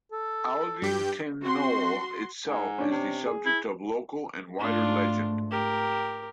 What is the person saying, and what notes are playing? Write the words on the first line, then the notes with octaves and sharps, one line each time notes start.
Aldington Knoll itself is the subject of local and wider legend.
A4
G2 G4 G6
C4 F#4 C6
G#2
C#4 D4
C3
G#4
E4
G#2 A3 D4 F4
G4 A#4